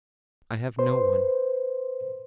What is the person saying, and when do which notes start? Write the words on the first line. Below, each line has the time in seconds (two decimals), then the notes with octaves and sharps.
"I have no one."
0.79 B4 C5 C6